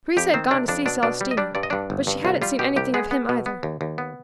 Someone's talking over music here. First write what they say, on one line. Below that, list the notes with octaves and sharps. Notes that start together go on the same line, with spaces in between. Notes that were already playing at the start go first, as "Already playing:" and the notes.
Teresa had gone to see Celestina, but she hadn't seen anything of him either.
F2 G4
D#3 C4 C5
C3 D4 D5
F2 D4 D5
B2 D4 D5
B2 D4 D5
G3
D#5
G3 D4 D5
G2 D5
D#5
G2 D4 D5
G1
G2
C2 F4
G3 F4
B2 G4
C2 G4
G#3 B3 G#4
B3
B2
B3
D#2
D#2
B3